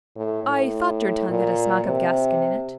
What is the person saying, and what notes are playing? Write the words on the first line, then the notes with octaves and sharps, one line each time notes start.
"I thought your tongue had a smack of Gascon in it."
A2
A2
A#2
C3